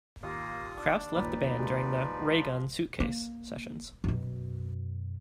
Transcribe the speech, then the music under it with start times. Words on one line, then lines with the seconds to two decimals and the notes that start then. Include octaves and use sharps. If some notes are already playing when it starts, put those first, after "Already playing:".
Krauss left the band during the "Ray Gun Suitcase" sessions.
0.23 D#2 A#3 F4 D#6
0.76 D4
1.15 G1 D#2 A#2 D#4 B4 D5 B5
1.57 F3 G3 G#3 F#4
3.00 A#3
4.04 F#2 B2